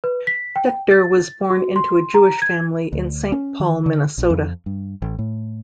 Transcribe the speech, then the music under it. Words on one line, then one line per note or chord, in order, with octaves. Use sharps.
Decter was born into a Jewish family in Saint Paul, Minnesota.
B4
B6
G5
A6
F#4
C6
A#5
G#6
D2
C#4
D#3
D3
A#1
F2
G2
A1
A2